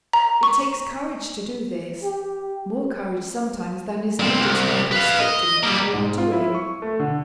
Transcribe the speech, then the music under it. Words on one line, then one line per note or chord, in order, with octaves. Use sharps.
It takes courage to do this--more courage sometimes than is needed to make us stick to the thing we are doing.
A#5
C#6
G4
G2 C4
C2
B4 F5
D#5
G3 A#3
G#2
F4
E4
C#6
A3
D3